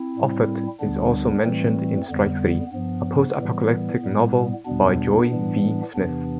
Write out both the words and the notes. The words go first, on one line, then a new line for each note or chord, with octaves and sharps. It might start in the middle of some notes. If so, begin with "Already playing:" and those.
Offutt is also mentioned in Strike Three, a post-apocalyptic novel, by Joy V. Smith.
Already playing: C4 E4
A2 G3
D2 D3 G3 B3 D4
A2 E3 G3 A3 C4
F2 D3 G3 B3
G2 F3 B3
A2 E3 G3 B3
A2 G3
E2 B2 G3 B3 D4
A2 E3 G3
E2 C3 E3 B3 D4